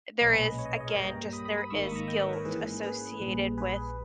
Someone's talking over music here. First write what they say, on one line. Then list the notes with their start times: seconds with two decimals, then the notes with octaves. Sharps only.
there is, again, just there is guilt associated with
0.21 B1 A#2 G#3 C#4 B4 D#5
0.33 G#4 B4
0.59 C#5
0.65 D#5
0.73 C#5
0.81 D#5
0.87 A#4 C#5
0.96 G2 G3 A#3 G5 A#5
1.33 B5 D#6
1.45 B5 D#6
1.58 B5 D#6
1.70 G#1 G#2 D#3 A#3 D#4 C#6 E6
1.83 B5 D#6
1.96 A#5 C#6
2.08 D#5 G5
2.20 B4 D#5
2.33 A#4 C#5
2.45 G#2 E3 A#3 C#4 G#4 B4
2.83 G#4 B4
3.20 A#1 A#2 G3
3.58 G#4 B4